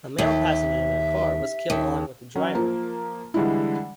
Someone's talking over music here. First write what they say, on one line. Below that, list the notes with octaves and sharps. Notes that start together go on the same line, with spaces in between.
A male passenger in their car was killed along with the driver.
D#2 E5
D#2
F#3 C#4
F3 A#3
D3 E3 G3 G#3 D4 E4